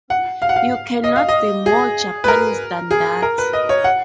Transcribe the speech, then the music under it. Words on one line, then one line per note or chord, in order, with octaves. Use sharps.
You cannot be more Japanese than that.
F#5
F5
F#5
F5
D#5
F5
D#5
G#4
B4
A#4
G#4
A#4
B4
D#5
C#5
F#5